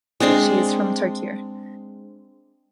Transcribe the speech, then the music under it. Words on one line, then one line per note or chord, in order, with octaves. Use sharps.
She is from Tokyo.
G#3 C4 D4 C6